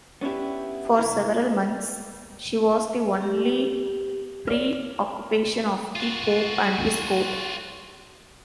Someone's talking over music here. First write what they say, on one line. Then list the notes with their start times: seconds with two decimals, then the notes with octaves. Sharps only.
For several months, she was the only preoccupation of the Pope and his court.
0.21 B3 C#4 D4 E4 G4
0.97 C2 E4 A#5
3.22 G4
4.48 C#5 D5 F6
5.96 F4 F#4